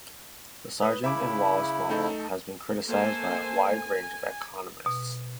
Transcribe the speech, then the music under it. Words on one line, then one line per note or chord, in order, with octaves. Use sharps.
The Sargent and Wallace model has been criticised by a wide range of economists.
B4 D#6
C#3 E4 E5 D6
A3 D#4 A4
A3 A#3 A4 C5 G#5
G#5
B2